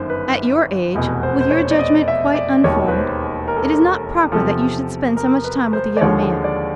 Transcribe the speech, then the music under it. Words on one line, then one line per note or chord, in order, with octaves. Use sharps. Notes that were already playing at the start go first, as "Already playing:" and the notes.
At your age, with your judgment quite unformed, it is not proper that you should spend so much time with a young man.
Already playing: G1 F#2 D#3 C5
B4
F1 E2 B2
C5
C5
C#5
D5
D#5
E5
D5
E1 D#2 D#3 C#5
B4
C5
A#4
A4
A#4
E2 C3 F3 A4
A4
A#4
B4
C5
D5
D#2 D3 F3 G#3 C#5
D5